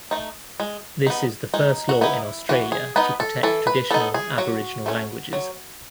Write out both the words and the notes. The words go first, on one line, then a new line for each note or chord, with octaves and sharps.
This is the first law in Australia to protect traditional Aboriginal languages.
A3 D#4
G#3
B3 D#4
G#3 D#4
F#4
B3 D#4 E4
E3 F#4
G#4
B3 D#4 B4
A4
E3 A4
B4
B3 D#4 A4
G#4
F#3 F#4
A3 C#4
F#3